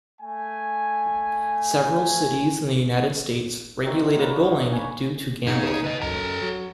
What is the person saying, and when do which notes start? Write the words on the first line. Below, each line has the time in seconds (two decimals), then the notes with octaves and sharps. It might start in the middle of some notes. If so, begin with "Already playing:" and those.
Several cities in the United States regulated bowling due to gambling.
0.22 A3 G#5
3.84 D#3 F#3 C4 E5
4.18 F3 A#3 B4 C#5
4.35 D4 D#4
4.72 C#5 G#5 A#5 B5
5.47 C#3 D#4 G#4
5.84 B4 D#5
6.02 F#2 A4 A#5
6.41 F#3